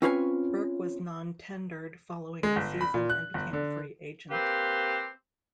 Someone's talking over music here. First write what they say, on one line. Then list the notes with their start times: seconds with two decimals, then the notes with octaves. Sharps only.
Burke was non-tendered following the season and became a free agent.
0.02 C4 C#4 F4 B4 C#5 G#5
2.43 G#3
2.56 G1
2.81 B5
2.94 A#2
3.10 F#6
3.34 G1
3.53 D3
4.31 A#3 C4 G4 B4 C5